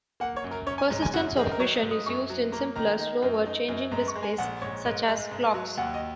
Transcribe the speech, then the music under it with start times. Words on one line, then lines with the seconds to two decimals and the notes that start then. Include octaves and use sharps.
Persistence of vision is used in simpler, slower changing displays such as clocks.
0.20 A#3 F#5
0.36 C#5
0.44 F#2
0.51 A#4
0.66 C#4 C#5
0.78 G#5
0.90 G#2 A#5
1.02 G#5
1.13 F#2 F#4
1.37 D#3 G#4
1.52 A#4
1.60 F#3 C#5
1.75 D#5
1.83 G#2
1.91 D#6
2.06 F#2 C#6
2.30 F#3
2.52 A#3 A#5
2.76 D#3 A#5
2.99 D#4
3.22 F#2
3.46 D#4
3.68 F#2
3.91 G#2 A#5
4.08 C#6
4.16 G#3
4.23 G#5
4.38 A#1 F#5
4.62 G#2 C#5
4.85 G#2
5.08 G#3
5.31 G#2
5.54 F#3
5.77 D#2 F#5
5.94 D#5